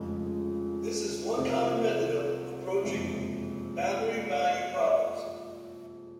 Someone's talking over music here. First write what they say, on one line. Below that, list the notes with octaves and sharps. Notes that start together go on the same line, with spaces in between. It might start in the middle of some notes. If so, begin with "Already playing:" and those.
This is one common method of approaching boundary value problems.
Already playing: F1 F2 C#3 G#3
C2 C3 F3 C4
F#1 F2 C3 F3 G#3